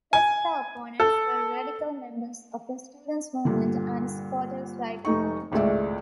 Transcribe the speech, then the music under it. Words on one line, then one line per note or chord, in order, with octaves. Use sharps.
Particular opponents were radical members of the students' movement and squatters' rights movement.
G#5
A4
G2 A#2 D3
F1 A3 D#4 C#6
G#1 C#2 A2 G#3 D5 E5